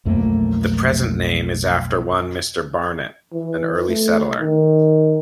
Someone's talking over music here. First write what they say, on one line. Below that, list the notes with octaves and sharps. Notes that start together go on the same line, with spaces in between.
The present name is after one Mr. Barnet, an early settler.
B1 F2 A3 A#3
E3
A3
D#3